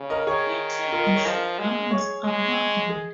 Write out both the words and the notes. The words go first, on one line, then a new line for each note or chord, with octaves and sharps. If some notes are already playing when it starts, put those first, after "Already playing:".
He claimed the shotgun was unloaded.
Already playing: C#3
A#4 D#5
D#3 G#4 C#5
F4 A#4
A#4 D#5
G#4 C#5
F3 A#4 D#5
G#3
G#4 C#5
G#3
G#4